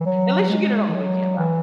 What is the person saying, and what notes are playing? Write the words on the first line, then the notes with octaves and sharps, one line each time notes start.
At least you get it on the weekend, though.
E3
F#3
G#3
E3
F#3
E3